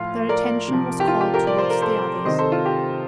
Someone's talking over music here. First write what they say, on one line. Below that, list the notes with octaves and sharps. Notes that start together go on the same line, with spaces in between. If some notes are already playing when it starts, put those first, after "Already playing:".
Their attention was called towards the others.
Already playing: A2 F3 F4 F5
A#4 D5
C3 F3
G4
F4
G4
G4 A#4
D5
C5
A#4
A4 C5
C3 D#3 C5 D#5
A4 C5
F4 A4
G4